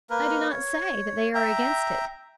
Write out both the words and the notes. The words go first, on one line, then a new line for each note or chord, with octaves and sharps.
I do not say that they are against it.
A#3 A#4 B4
C#5
E5 G5 A#5